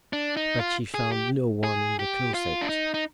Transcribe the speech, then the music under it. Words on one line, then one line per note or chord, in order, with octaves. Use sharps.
But she found no one in the closet.
D4
D#4
F4
G#4
G4
G#4
G4
F4
D4
D#4
D#4